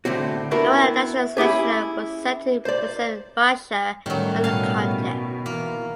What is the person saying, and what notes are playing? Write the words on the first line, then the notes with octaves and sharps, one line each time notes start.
They won the national selection and were set to represent Russia at the contest.
A2 D3 C4 F#4
B3 D4 E4 F#4 A#4 B4
C#4 E4 G4 G#4
C5 D5
A2 D#3 F#3 G3 C#4
B2 F5 G#5 A5
E3 A#3